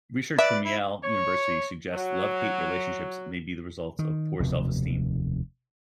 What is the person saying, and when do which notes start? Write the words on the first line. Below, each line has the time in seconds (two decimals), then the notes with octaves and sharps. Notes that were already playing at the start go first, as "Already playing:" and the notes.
Research from Yale University suggests love-hate relationships may be the result of poor self-esteem.
0.39 B4 D5 E5
0.65 E4
1.01 C#5
1.92 F#3
3.99 D#3
4.40 F1 D#2 B2